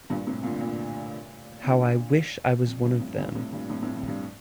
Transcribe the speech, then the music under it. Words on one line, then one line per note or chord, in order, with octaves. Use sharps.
How I wish I was one of them!
G2 A#2
A2 C3
A#2 D3
A#2 D3
A#2 D3
F2
G2
F2 A2
G2 A#2
A2 C3
G2 A#2
F2 A2
F2 A2
F2
G2